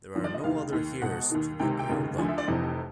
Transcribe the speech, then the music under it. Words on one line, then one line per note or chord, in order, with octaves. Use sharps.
There are no other heirs to the earldom.
D#2 D3 F3
D5
D#5
F1 D#2 D#3 F5
D#2 D#3
C#2 B2 F#5
D#2 D#3
C#2 C3 D#3 G5
G5
F1 D#2 C#3
D2 D3 F3 G#5
E5
D5
F1 F2 C3 E3 D#5